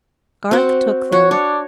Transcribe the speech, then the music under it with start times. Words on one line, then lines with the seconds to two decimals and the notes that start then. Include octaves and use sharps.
Garth took them.
0.51 C4 F#4
1.12 F#4 C#5
1.31 D4 C#5